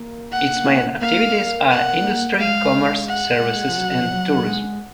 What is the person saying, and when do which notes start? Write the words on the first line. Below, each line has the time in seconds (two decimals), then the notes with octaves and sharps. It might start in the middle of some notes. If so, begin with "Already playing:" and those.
Its main activities are industry, commerce, services and tourism.
Already playing: A#3
0.32 F#5
1.01 A#3 F5
1.70 F#5
2.39 G#3 F5
3.08 F#5
3.68 F3
3.77 F#3
4.01 F3
4.12 F#3
4.47 G#3